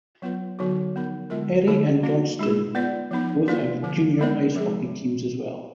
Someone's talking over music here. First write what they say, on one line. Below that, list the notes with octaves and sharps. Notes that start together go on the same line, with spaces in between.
Erie and Johnstown both have junior ice hockey teams as well.
F#3 B3 F4 B4
D3 F#3 B3 D#4 F#4
F3 B3 D#4 A#4
D3 G#3 B3 F4 A#4
D3 F3 A#3 D#4 G#4
A#3 D4 F#4
G#3 D#4 G#4
B3 F4 B4 D5
F3 B3 D#4
A#3 F4 B4 D5
D3 F3 A#3
G#3 B3 D#4 A#4 D5
F3 G#3 D#4 G#4